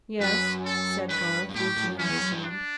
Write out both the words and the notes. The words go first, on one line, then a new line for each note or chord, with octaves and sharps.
"Yes," said Garth, reaching out his hand.
F#2 B4
A4
G2 B4
G2
A2 G4
A2
F#2
F#2 C#4
E2
F#2
G2
D4